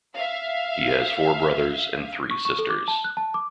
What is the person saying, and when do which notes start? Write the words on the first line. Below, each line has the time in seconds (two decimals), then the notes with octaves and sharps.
He has four brothers and three sisters.
0.15 E5 F5
2.31 C#6
2.45 C#6
2.59 A4
2.70 D6
2.88 A5
3.04 F#6
3.17 A5
3.34 D6